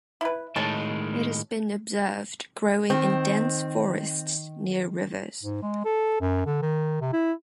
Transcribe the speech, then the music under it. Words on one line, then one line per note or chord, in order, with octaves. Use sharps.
It has been observed growing in dense forests near rivers.
E4 B4
A2 D#3 G#3 C#5 A5
D#3 C4
G#2
G#3
A4
F#2
D3
D#3
C3
E4